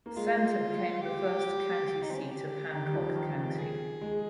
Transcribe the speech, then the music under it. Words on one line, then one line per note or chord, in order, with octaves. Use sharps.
Center became the first county seat of Hancock County.
A#3
G#3 F4
G4
G3
G4
D#4
C4
C#4
G4
D#3
G3
F3
D#3
G#4
G#3